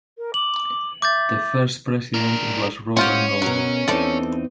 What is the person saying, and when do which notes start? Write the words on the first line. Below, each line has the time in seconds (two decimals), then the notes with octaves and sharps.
The first President was Robert Noble.
0.18 A#4
0.34 D6 F#7
1.02 E5 D6 G6 A6
2.14 D4 A#4
2.97 G#3 C4 C#4 F4 G4 F#5
3.42 B2 F#3 A#4
3.88 E2 C4 D#4 A4 D5